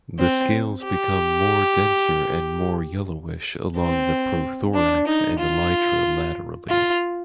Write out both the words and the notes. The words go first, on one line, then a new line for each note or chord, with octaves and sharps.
The scales become more denser and more yellowish along the prothorax and elytra laterally.
C4
G4
C4
D4
D#4
F4
F4